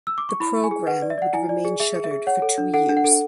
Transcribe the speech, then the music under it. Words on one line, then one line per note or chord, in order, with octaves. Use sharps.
The program would remain shuttered for two years.
E6
D6
C#6
E4 B5
E4
G#5
G#4
B4 F#5
D5
E5
D5 F#5
E4 G#5
D5
G#4
G#4 E5
G#4
E5
G#4
C#5 F#5
A4
D4
A4 F#5
D4
F#5
A4